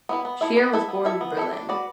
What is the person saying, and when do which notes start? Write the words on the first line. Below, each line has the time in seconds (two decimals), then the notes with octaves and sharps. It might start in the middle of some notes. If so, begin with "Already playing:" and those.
Scheer was born in Berlin.
0.09 B3 E4 B4
0.25 B3
0.41 E4 A4 E5
0.57 B3
0.73 E4 A4 E5
0.89 B3
1.05 E4 A4 E5
1.21 B3
1.37 E4 A4 E5
1.53 D4
1.69 F#4 B4 D5